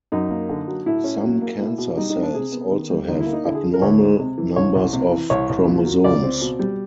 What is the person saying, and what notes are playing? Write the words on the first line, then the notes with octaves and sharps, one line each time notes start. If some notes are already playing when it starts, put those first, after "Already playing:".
Some cancer cells also have abnormal numbers of chromosomes.
F#2 D#4
A#3
D3
F#3
A2 E4
C#4
F#3
A#3
B2 E4
B2
G3 D#4
D#4
C4
D4
C3 G#4
B3
D#3
G3
D2 D#4
E4
A#3
D#4
D3 E4
G#4
F3
A#4
D2 C#5
G#3
C3
E3
C2 C#5
C2
C3
E3
C2 C#5
C2
A#2
F#3
C#2 D5
C4
B2
G3